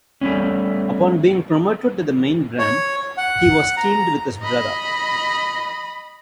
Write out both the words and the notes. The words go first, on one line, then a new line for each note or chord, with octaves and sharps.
Upon being promoted to the main brand, he was teamed with his brother.
G3 A3 B3 C#4
C#5
F#5
A#5
D#5 B5